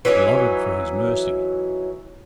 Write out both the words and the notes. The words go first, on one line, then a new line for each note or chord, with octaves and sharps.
Beloved for his mercy!
E3 F#3 C#4 D#4